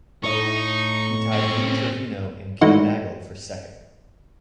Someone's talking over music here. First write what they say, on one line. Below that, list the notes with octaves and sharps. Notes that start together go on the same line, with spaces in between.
He tied Lee Trevino and Kel Nagle for second.
A2 D#4 C#6
C4 C#4
G#2 E3 A3 D#4 F#4